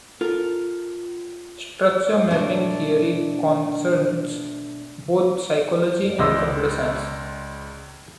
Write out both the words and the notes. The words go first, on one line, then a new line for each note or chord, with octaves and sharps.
Structure mapping theory concerns both psychology and computer science.
F4 A4 A#4
B2 G3 A3 D4 B4 D5
C#2 G#3 D5 D#5 C6 E6